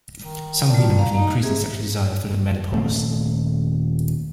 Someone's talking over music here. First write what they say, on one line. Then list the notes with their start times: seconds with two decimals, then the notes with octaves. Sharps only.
Some women have an increase in sexual desire following menopause.
0.21 D#3
0.70 G3 F4 D5 A5
0.98 F5 A#5
1.14 A#3 D#4
1.43 C3 C4 G#4
2.72 D#1 A3 C4